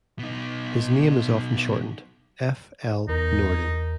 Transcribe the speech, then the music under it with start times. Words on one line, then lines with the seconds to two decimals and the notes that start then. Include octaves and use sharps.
His name is often shortened "F. L. Norden".
0.19 B2 D#4
3.08 E2 D#4 A#4 A#5